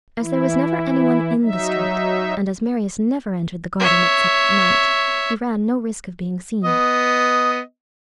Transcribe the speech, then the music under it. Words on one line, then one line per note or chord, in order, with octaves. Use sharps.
As there was never any one in the street, and as Marius never entered the garden except at night, he ran no risk of being seen.
E3 E4
F#3 D#4 E5
C#5 E5
B3 D#5